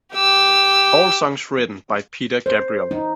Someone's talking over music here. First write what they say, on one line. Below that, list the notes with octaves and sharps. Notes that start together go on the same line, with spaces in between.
All songs written by Peter Gabriel.
G4 E6
C5
D#4